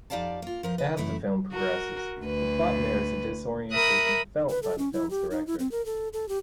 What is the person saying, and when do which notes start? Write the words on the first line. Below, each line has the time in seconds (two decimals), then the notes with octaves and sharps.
As the film progresses, the plot mirrors the disorientation felt by the film's director.
0.10 F2 D#4 G4 D5 F5 A5
0.42 A#3 F4
0.63 F3 A#4 C5
0.78 B4 D#5
0.97 F#2 E3 A3 E4
1.52 F#4 A#4
2.20 D2 B4
3.72 A#4 E5 B5 D#6 F#6
4.49 B4
4.63 A4
4.78 C#4
4.93 E4
5.10 G4
5.31 D#4
5.47 E4
5.59 C4
5.71 A#4
5.86 A4
6.13 A4
6.29 G4